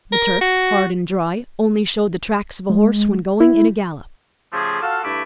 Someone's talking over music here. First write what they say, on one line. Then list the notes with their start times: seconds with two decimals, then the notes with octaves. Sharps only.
The turf, hard and dry, only showed the tracks of a horse when going in a gallop.
0.13 A#4
0.41 F#4
2.70 G#3
3.40 E4
4.52 C#3 F3 A3 G4 G#4
4.81 F4 F#4 A4 F5
5.04 G2 A3 E4 B5 D6